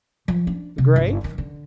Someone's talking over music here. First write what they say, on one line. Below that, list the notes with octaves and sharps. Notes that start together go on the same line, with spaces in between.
"The grave?"
F3
D4
C3
G1
D#3
D3